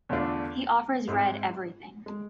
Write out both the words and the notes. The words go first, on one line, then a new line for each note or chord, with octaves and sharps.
He offers Red everything.
E2 D3 A3 D4 F4
G#2 G#3 C4 E4
G#3